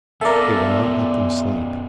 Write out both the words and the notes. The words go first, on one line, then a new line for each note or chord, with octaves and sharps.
It will not let them sleep.
F#2 B3 A4 A#4 D5 E5 F5